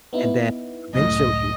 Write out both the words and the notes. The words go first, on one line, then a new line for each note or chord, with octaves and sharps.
and then, eventually,
B3 D#4 E4
C#2 F#2 A2 D#5